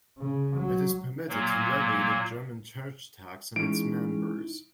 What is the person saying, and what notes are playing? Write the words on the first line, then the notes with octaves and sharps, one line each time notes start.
It is permitted to levy the German church tax on its members.
C#3
F#3
A#2 F#3 A#3
E3 G#3 C#4 D#4 E4 D7